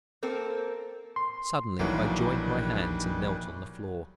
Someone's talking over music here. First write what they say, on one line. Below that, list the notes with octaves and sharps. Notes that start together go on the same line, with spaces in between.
Suddenly I joined my, hands and knelt on the floor.
A#3 C4 A4 A#4
C6
A#1 D#3 E3 F#3 G3 A3 A#3 B4